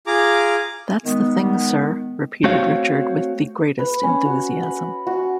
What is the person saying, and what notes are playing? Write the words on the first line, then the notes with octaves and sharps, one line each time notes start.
"That's the thing, sir," repeated Richard with the greatest enthusiasm.
F4 G#4 A#5 D6
D#3 G#3 B3
A3 C4 F#4 C#5 F5
B4
C#4
F#4
B5
F#4